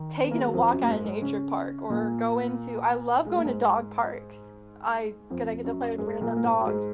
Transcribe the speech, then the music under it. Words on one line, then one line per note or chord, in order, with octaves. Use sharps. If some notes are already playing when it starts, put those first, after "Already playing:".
taking a walk at a nature park or going to I love going to dog parks, I 'cause I get to play with random dogs,
Already playing: D#3
B3
A#3
G#3
F#3
F2 F3
F#2 F#3
A#3
G#2 G#3
G#2 G#3
C#3 C#4
A#2 A#3
G#3
A#3
G#2 G#3
F2 F3
F#2 F#3
G#2 G#3
A#2 A#3
A#3
G#2 G#3
F#3
G#2 G#3